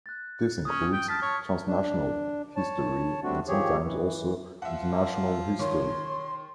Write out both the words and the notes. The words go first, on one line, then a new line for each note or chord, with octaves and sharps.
This includes "transnational" history and sometimes also international history.
F#6 A6
C#4 D#6
G5
A5 F6 B6
C#5 A5
D4
C#5 A5
G3 A3 C4 D4 F#4
D#3 F3 G4 G#4 C#5
E3
F3 E5 F#5
D#3 C#5 C6